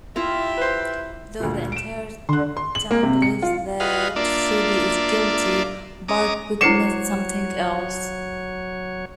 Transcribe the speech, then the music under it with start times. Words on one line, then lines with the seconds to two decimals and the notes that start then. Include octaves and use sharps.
Though the entire town believes that Freddy is guilty, Bart witnessed something else.
0.16 E4 F4 G4 E5 A#5
0.57 B4 C5
1.40 D2 A#2
1.72 D7 E7
2.29 D3 C6 F#6
2.57 C6
2.75 F#7
2.91 A#3
3.03 C3
3.22 C#7
3.42 F4
3.80 F4 F#4 G#4 B4 D#5 F5
4.16 A#3 D4 F4 D5 E5
6.08 C#4 A#5 D6 D#6
6.61 F#3 E4 C5 C#5 D6 C7 C#7 E7